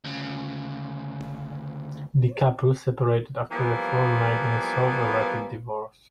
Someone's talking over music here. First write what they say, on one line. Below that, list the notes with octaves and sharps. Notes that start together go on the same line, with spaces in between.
The couple separated after a fortnight, and sought a rapid divorce.
D2 C#3
E3 F3 G3 A#3 B3